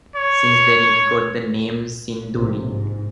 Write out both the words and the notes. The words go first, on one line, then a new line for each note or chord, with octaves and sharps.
Since then it got the name Sindhuli.
C#5
A#1 A2 C3
G#2